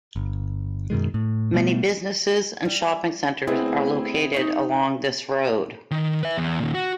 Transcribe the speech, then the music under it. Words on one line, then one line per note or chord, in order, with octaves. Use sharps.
Many businesses and shopping centers are located along this road.
G1
F#2 B2 D#3 G#3
A2
B2 G3 A3 B3
G3
D2 B3 C4 E4 G#4 D#5
D#4 C#5
D#3
B4 E5
E2
A#2 D#3
F#4